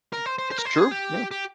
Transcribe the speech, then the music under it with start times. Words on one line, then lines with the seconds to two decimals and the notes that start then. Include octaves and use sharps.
I It's true, yeah.
0.13 A#4
0.26 C5
0.38 C5
0.51 C5
0.59 A#4
0.65 C5
0.78 G#4
0.92 G4
1.31 G4